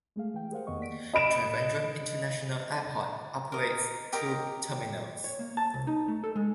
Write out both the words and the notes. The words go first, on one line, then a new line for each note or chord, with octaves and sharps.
Trivandrum International Airport operates two terminals.
G#3 A3 G#4 F5
E3 G5
G4 G#4 A#4 C5 F5 F#5
F2 D#3 B3 D#5 C#6
A#3 D5 B6 D7
D#5 B5 D7 E7
A#4 D#5
G4 A#4 D#5
C#5
A#3
A5
C2
D#4
A3
A4
G#3